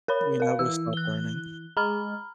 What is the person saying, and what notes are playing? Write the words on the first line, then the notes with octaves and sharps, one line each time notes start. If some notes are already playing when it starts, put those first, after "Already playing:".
We never stop learning.
A#4 C#5 B5
A#4 F5
E3 E6
F#6 G7
G#3 A#5 B5 F6